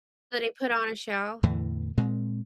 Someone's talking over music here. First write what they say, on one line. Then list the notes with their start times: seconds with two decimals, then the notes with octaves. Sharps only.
So, they put on a show?
1.43 E2 A2 D3 E3
1.97 A#2 G#3 C4